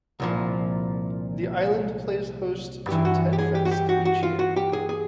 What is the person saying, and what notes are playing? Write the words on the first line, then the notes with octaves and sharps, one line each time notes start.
The island plays host to Ted Fest each year.
C2 A#2 F3
G2 E3 G4
F#4
G4
G#4
G4
F#4
G4
F#4
F#4
F4
F#4
G4
G#4
G#4